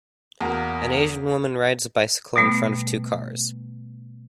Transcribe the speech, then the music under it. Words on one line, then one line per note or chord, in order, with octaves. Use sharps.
An Asian woman rides a bicycle in front of two cars.
E2 A#3 F#4
B2 G3 A3 B3